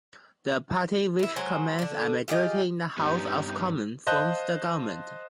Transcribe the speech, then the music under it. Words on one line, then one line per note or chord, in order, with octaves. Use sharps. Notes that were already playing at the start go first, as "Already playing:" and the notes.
The party which commands a majority in the House of Commons forms the government.
B3 E4
F#3 G#3 C5 G#5
D3 D4
F4 G4 G#4 D#5
G2 B3 C#4 D#4 G4
C5 D#5 F5 A5 F#6 G6